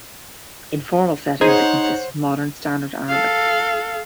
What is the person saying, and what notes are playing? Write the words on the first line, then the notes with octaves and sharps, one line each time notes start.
In formal settings, it consists of Modern Standard Arabic.
D#4 G#4 C5 C#5 F#5
A4 F5